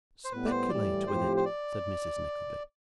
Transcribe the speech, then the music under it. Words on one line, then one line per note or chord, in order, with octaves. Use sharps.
'Speculate with it,' said Mrs Nickleby.
C5
A2 G3 B3 B4
D5
C5
A2 E3 G3 D5
A2 F3 C4 G4 C5
C5
D5